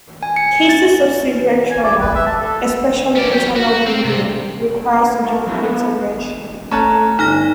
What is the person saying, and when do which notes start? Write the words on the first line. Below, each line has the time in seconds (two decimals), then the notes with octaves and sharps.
Cases of severe trauma, especially internal bleeding, require surgical intervention.
0.23 G#5
0.36 C#7
0.69 A6
1.71 G#5
1.83 D5
2.00 B4
2.15 E5
2.26 A5
2.40 A4
3.16 C#4 D5
3.29 F#3 G4
3.56 F#4
3.68 F#4
3.86 C4
4.04 C3
5.24 A3
5.46 F3 F#3 G#3 A3 C#4 E4
5.62 B3 A#4 B4
6.71 A3 C#4 A5 A#5 F#6
7.19 G1 D#4 F6 A#6